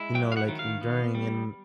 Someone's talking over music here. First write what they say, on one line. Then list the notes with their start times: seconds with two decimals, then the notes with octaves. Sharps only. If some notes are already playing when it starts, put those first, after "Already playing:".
you know, like, enduring and
Already playing: G#3 E4
0.15 F#3 G5
0.32 F5
0.37 F#5
0.48 D#3
0.59 F5
0.81 B3
1.15 G3